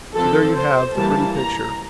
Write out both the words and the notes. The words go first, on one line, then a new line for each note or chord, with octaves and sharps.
So there you have the pretty picture.
F3 C4 A4
C5
E3 G3 A#3 A5
A#5